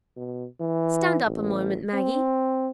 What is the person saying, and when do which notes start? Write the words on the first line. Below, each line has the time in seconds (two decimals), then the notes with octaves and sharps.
"Stand up a moment, Maggie."
0.17 B2
0.60 E3
1.26 A1
1.94 C4